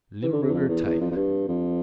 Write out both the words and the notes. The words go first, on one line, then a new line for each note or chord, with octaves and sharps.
Limburger type.
E3
D3
C3
E2
F2
E2
E2
F2
F2
G2
F2